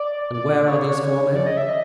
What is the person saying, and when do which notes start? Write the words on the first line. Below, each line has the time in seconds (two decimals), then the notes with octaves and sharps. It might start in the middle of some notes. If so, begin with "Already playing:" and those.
"And where are these four men?"
Already playing: D5
0.34 D5
0.68 C#5
1.36 D5
1.46 D#5
1.57 E5
1.69 D#5